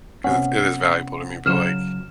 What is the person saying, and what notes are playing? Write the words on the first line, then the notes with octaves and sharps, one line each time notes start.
'cause it's it is valuable to me, but, like,
C3 B3 C#4 F#5
C#3 F#3 F6 E7